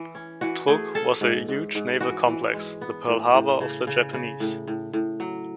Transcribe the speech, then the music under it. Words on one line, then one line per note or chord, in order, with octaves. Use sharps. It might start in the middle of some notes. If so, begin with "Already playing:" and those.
Truk was a huge naval complex, the "Pearl Harbor of the Japanese".
Already playing: E3
C#4
E3 F#4
A3 G#4
C#4 A4
G#2
G#2
G#2
E3 F#4
E3
G#3
B3
A2
A2
C#3
C#3
C#3
A2
A2
A2
F#3